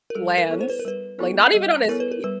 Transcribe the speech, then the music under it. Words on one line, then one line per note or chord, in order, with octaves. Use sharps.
lands, like, not even on his feet,
A#4
G3 A4
A#4
B3 E4 A4 C#5
C5
B4
A#4
G3 B4
B3 E4 A4 C#5
G3 D#5
B3 E4 A4 A#4 C#5
B4
A#4
G3 B4